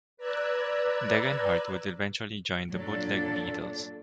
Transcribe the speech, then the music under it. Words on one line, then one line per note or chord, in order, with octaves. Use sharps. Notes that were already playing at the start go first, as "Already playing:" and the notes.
Degenhardt would eventually join The Bootleg Beatles.
B4 D5 A#5 E6 F#6 G#6
A#2 F#3 D4 A4